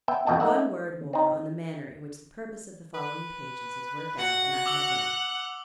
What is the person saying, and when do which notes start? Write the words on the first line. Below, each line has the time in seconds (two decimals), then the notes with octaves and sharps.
One word more on the manner in which the purpose of the following pages is worked out--and I have done.
0.08 B3 E5 G5
0.27 F2 B2 F#4 D#5 G5 A5
0.40 A3 D#4 A#4 E5 F#5
1.13 C4 D#4
2.94 B4
4.19 F#4 F#5
4.66 D6 E6 F#7